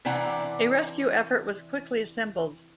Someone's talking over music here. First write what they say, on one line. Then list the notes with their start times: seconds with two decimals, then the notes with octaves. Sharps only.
A rescue effort was quickly assembled.
0.05 C3 E3 D4 F#5 A#5